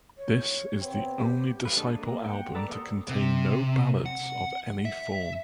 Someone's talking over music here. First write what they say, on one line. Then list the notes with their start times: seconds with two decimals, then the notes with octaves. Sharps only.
This is the only Disciple album to contain no Ballads of any form.
0.18 C#5
0.78 C3 B3 C4
1.18 G4
1.65 B4 F5
1.77 G#3 A3 D4 A4
1.99 A#3
2.25 F#5 G5
2.55 A4 B4 D5 A#5 D6
2.69 A#3 G4 C5 D#6 E6
3.09 C3
4.06 F#5
4.85 E5